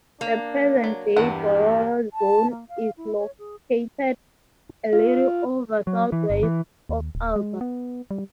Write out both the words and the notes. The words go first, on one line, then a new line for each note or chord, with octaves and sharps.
The present day Barolo zone is located a little over southwest of Alba.
A#3 D4
F#3
E2 G2 E4 G4 B4 F#5
A5
A#3
F5
E4
C#5
G#4
F4
F#3
E3
G1
E3
D#2
D1
G#3
B3
G3